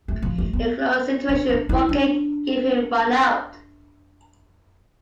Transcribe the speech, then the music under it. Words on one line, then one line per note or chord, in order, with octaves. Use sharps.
In a close situation, Crockett gave him run out.
A3
F3
A3
B3
D4
D4
E4
D4